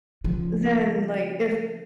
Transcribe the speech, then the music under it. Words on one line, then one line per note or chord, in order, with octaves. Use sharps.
then, like, if
C#3 F3